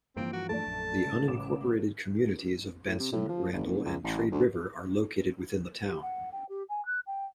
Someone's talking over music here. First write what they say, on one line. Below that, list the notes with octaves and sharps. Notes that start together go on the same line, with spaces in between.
The unincorporated communities of Benson, Randall, and Trade River are located within the town.
G2 E3 F3 A#3 C4 D7
F#4
A3 D4 A5
A#1 F#2
C#3 G#3
A1 D6 E7
A2
C3
A2
F3
G1
F#1
C#2
A1
D2
G4
F#5
G5
G4
G#5
F#6
G5